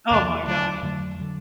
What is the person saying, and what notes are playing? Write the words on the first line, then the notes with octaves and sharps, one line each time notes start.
Oh my gosh.
E2 C3 E3 D4
D2 D3 F#3 A3 D4
F2 D3 F#3 A3
D3 F#3